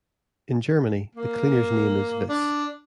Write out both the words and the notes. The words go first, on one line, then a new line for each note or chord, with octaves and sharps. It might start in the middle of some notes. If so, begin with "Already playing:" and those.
In Germany, the cleaner's name is Viss.
A#3
D4